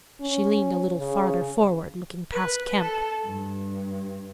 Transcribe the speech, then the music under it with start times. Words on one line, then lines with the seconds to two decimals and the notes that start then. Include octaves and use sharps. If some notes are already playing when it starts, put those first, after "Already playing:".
She leaned a little farther forward, looking past Kemp.
0.21 C#4
0.99 C#3
2.32 B4
2.78 A4
3.24 G2